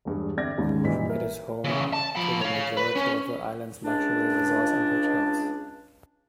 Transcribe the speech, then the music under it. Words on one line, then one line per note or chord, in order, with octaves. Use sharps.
It is home to the majority of the island's luxury resorts and hotels.
E1 G2 G#4
D3 C4 D5 E5 G#6 A#6
D#2 G#2 C#3
F#1 A#2 E3 G3 D#4 B6
A#4 E5
C#3 E3
A5
F3 B5
C#5 F5
B4
C#4
C#2 D4